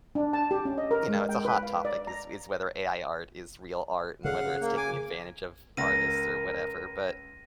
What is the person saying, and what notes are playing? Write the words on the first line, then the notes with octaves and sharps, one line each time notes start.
you know, it's a hot topic, is is whether AI art is real art and whether it's taking advantage of artists or whatever. But,
D4
A5
G4
C#4
D#5
A#4
G#3
G5
B4
F5
D5
A#5
C#3 F5 F#5
A#3
G#5 D6
C#2 A#4 A#6 D#7